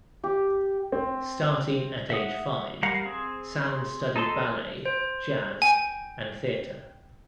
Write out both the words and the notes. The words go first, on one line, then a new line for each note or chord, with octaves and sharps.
Starting at age five, Sand studied ballet, jazz and theatre.
G4
C4
E5 F#5 D#6
G3 A#4 F5 F#5
C4 G#4
D#4 A4 A5 C6
C5
G5 G#5